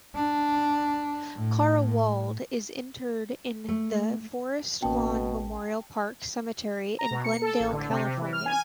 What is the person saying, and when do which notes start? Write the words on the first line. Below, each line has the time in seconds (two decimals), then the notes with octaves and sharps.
Clara Ward is interred in the Forest Lawn Memorial Park Cemetery in Glendale, California.
0.15 D4
1.36 A2
3.68 A3
4.82 A1 B2 A#3 C#4 G5 A5
6.99 A#5
7.11 B2
7.24 C#7
7.42 A4
7.60 A1
7.73 D3
7.90 C3
8.04 C3
8.17 E3
8.33 F6
8.46 G#5